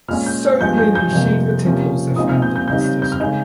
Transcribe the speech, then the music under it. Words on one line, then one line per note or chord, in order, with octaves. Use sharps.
So many Shiva temples are found in this district.
A#2 G#3 C#4 F6
G6
G2 F3 G#3 G6
G6
G6
F2 C3 G3 A#3
C3 F3 A#3 C#4
A#2 F3 G#3 C4 D#4 D#6
F6
G6
G6
C#3 G3 C4 D#4 G6
G6
F6
C#3 G#3 D#4 G6